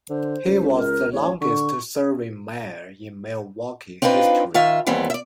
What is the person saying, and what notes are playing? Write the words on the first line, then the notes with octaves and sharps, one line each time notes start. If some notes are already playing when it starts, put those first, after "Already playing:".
He was the longest serving mayor in Milwaukee history.
D3 C5
C#2
A#4
A1 C#5
D3 C#6
C4 D4 D#4 F4 B4
D#3 F4 E5
D#2 E3 G3 B3 C4
D5 E5